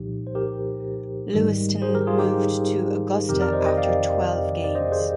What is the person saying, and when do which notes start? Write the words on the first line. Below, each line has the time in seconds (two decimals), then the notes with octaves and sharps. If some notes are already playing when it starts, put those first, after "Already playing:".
Lewiston moved to Augusta after twelve games.
Already playing: C2 A#2 F3 D#4 G4
0.27 C5
0.35 G4 A#4
1.33 G#2 D#3 G3
1.82 G#4 C5
1.94 G4 A#4
2.07 F4 G#4
2.18 D#4 G4
3.29 F2 C3 D#3 G4 A#4
3.41 A#4 D5
3.53 C5 D#5
3.66 D#5 G5
3.77 D5 F5
4.64 D5
4.75 C5 D#5
4.92 G#4 C5